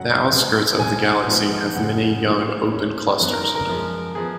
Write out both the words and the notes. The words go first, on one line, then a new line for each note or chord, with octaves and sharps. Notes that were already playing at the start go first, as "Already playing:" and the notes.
The outskirts of the galaxy have many young open clusters.
Already playing: G#1 F#2 C#3 F#3 C#4 F#5
B1 B2 G#3 B3
B1 B2 G#3 G#5
F#5
A#1 G#2 F3 G#3 B3
F#2 C#3 G#3 F#5
A#1 A#2 G#3 C#4
D#2 D#3 A#3 C#4
F#2 D#3 F#3 B3
A#4
A#4
A#4
F#2 F3 G#3
F3 B3 G#4